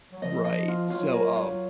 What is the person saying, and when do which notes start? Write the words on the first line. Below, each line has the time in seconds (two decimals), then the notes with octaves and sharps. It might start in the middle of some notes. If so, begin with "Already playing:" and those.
Right, so, um,
0.12 F#3
0.22 F3 D#5
0.45 D#5
0.68 F4
0.90 F#3 F4
1.13 A#4
1.36 F4